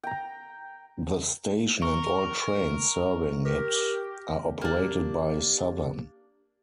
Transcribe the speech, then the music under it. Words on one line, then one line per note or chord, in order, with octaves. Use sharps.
The station and all trains serving it are operated by Southern.
G5 A#5
A#4 C#6
G4 A#4
A#3 D4 G4